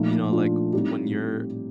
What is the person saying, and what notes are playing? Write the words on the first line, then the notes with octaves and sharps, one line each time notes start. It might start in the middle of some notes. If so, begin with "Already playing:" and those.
you know, like, when you're
Already playing: A#2 F3 A3 D#4
D4 F4
A2 G3 C4 D#4 G4